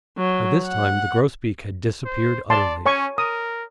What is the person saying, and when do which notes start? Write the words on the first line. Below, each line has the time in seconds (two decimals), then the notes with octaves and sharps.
By this time the grosbeak had disappeared utterly.
0.18 F#3
0.66 F#5
2.05 C5
2.50 D5 A5 C6
2.86 C#4 C#5 G#5 C#6
3.18 A#4 D#6